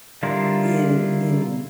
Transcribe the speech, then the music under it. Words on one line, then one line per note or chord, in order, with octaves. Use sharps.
in in
D3 G3 E4 F4 A#4